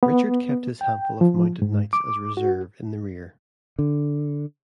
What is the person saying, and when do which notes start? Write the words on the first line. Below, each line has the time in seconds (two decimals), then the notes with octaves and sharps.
Richard kept his handful of mounted knights as a reserve in the rear.
0.03 B3
0.81 G5
1.21 F3
1.62 G#2
1.93 D6
2.37 F#4
3.79 D3